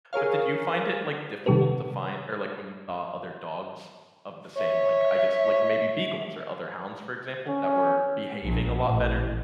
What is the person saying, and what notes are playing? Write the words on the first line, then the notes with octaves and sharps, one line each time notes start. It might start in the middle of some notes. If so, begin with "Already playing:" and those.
but did you find it like difficult to find or like when, uh, other dogs of the same like I guess like maybe beagles or other hounds, for example, that were behaving a lot better?
G#4 A#4 C#5 F5
C3 D#3 G3 G4 A4 B4
C#5 E5
C#4
A#1
A1